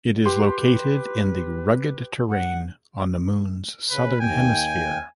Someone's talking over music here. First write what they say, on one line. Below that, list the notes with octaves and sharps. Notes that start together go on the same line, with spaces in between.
It is located in the rugged terrain on the Moon's southern hemisphere.
G4 B4 C6
F#5
C#3 B4
D#2 G5 G#5